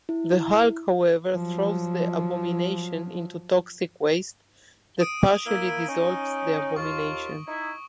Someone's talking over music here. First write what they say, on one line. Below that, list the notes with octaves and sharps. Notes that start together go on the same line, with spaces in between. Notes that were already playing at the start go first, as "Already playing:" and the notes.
The Hulk, however, throws the Abomination into toxic waste that partially dissolves the Abomination.
E4
F3 F#3
D#6 D7 D#7
A#3 E4 G7
C#4 D#4
D#2 F4 C#6
D#4 E4